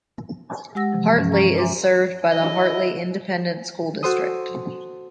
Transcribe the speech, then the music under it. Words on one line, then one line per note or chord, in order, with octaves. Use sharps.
Hartley is served by the Hartley Independent School District.
G#3 G4 F#5 E6 A#6
C3 E3 F3
G2 F3 C#4
A#5 C#6
C5 E5 G#5 A#5 C6 D6
F#3 E4 D#5
F#4 A4 C5 C6 D#6